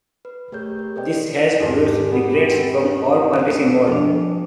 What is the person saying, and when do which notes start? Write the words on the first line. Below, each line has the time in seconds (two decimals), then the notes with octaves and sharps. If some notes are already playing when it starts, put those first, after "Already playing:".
This has produced regrets from all parties involved.
0.25 B4
0.52 A3 G4 G#4 A#4 C#5 G6
0.79 G4
0.96 A4 B4 C5 D5 D#5 G5
1.60 E2 G#2 G#3 D4 G4
2.12 B3
2.51 C4
3.28 D#6 E6
3.88 F3 D4